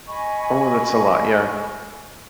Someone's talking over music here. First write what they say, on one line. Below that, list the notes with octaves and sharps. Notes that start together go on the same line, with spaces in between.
Ooh, that's a lot, yeah.
D#5 G#5 B5 C#6